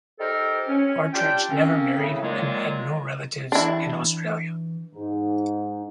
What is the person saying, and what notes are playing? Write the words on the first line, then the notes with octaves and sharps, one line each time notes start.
Partridge never married and had no relatives in Australia.
D#4 G4 A4 A#4 C5 G5
C#4
G3 D4 F4 G5
A#3 C4 C#4
A2 C#3
A#2 D#3 F#3 G#3 A#3 F4
E3 D4 E4
G#2 D#4